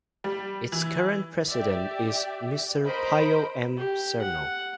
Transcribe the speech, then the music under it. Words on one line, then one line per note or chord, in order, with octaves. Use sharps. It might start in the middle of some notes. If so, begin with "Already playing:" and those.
Its current president is Mr. Pio M. Cernal.
G3
E3
G4 D5 E5
A#4 C5 D#5 B5 D7
G4
F#5